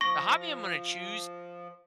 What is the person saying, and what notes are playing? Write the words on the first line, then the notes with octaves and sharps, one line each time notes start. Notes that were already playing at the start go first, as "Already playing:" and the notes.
the hobby I'm gonna choose
F3 C#6 A#6